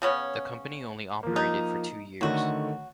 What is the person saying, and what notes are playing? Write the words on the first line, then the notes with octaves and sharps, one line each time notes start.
The company only operated for two years.
C#3 B3 C#4
F3 A#3
D#4
D3 D#3 F#3 A3 F#4